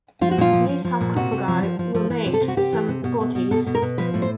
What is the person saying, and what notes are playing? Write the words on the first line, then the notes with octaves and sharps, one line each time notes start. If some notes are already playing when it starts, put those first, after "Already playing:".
New sarcophagi were made for some of the bodies.
F3 F4
F#4
A#2 F4
F3
F3
F3
A#2
C3 F#4
C3
F3
F3
F3
F3
E3
C3
A4
C3
F#4
C3 G4
E3
C3
B2
B2
B2
B2 A4
B2
A#4
B2
F3 B4
A2
C5